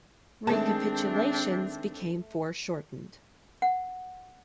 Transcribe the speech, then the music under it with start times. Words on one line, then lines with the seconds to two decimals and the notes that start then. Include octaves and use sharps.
Recapitulations became foreshortened.
0.47 D#3 G#3 A3 C4 D4 A5
3.62 F#5